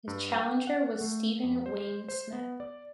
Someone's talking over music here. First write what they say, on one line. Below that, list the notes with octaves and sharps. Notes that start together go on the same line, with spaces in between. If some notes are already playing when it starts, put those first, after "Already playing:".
His challenger was Steven Wayne Smith.
G2
G5
F#5
A3
F2
C5
C5
B3
D5